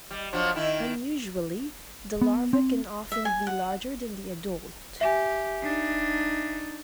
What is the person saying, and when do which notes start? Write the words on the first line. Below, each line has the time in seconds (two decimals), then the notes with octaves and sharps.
Unusually, the larva can often be larger than the adult.
0.11 G3
0.33 F3 F#3 D4
0.55 D#3 E4
2.21 B3
2.53 C4
3.12 E5
3.25 G#5
3.47 F#5
5.01 G4 E5 G#5
5.63 D4 D#4